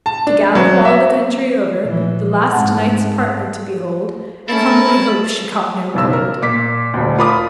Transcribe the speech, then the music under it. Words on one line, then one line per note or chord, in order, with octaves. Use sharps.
To gallop all the country over, The last night's partner to behold, And humbly hope she caught no cold.
A5
D4
F#3
E5
A#2 E3 F3
G#2 F#5 A5
A3 C#4 E4 A#4 A5 B5
F#1 B1 E6
A#4
A#2 D6 B6
D#1 D2
F4 A#4 B5 D6 D#6